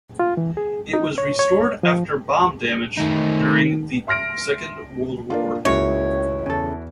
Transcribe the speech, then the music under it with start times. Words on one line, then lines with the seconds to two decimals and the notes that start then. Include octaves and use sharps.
It was restored after bomb damage during the Second World War.
0.19 F4
0.37 E3
0.57 G#4
0.93 D#4
1.18 C#5
1.39 C#5
1.83 F3
2.97 D#3 A3 D#4
4.07 E5 C6 F6 A#6 D7
5.30 A#3 D4 F4
5.65 C#2 C#3 A#3 E4 F#4 C#5
6.46 E2 C#3 A4